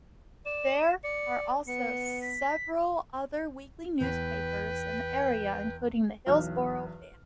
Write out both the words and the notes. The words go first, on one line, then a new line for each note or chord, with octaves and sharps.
There are also several other weekly newspapers in the area including the "Hillsboro Banner".
D5 E7
D5 C#7
B3 C#7
B6
E2 B4 G5
B1 E2 F6 F#6